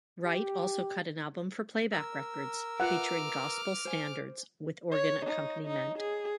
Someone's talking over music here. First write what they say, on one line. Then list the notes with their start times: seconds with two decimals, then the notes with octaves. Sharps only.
Wright also cut an album for Playback Records featuring gospel standards with organ accompaniment.
0.24 G4
1.92 A#4 E6
2.80 F4 B4 E5 F#5 D6 F6
3.85 C5 G#5
4.92 C#5
5.26 D#4
5.67 D#4
5.98 G#4